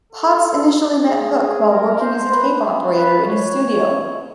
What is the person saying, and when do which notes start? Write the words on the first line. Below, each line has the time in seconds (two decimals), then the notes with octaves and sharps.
Potts initially met Hook while working as a tape operator in his studio.
0.12 A4
1.07 G#4
1.38 G#4
1.70 A#4
2.00 C5
2.31 B4
2.94 B4
3.25 C#5